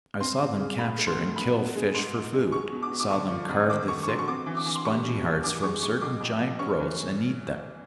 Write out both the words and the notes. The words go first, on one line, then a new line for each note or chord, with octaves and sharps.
I saw them capture and kill fish for food, saw them carve the thick, spongy hearts from certain giant growths and eat them.
C4 C6
C4
C#3
A2 B5
A3
C6
A2
B3 B5
B3
G#3
G#2 C6
G#2
G#3
G#3 C#6
B2
D6
B2
D6
D3 C#6
F3
F2
D#3 D6
A3 C#6
C#6
F#3 C6
C#6
C4 D6
E3
D6
E3
C6
G3 C#6
B2
G3
E3 D6
G#3 C#6
G#3 C#6
F2 D6
F2
F2
C#4 C#6
E3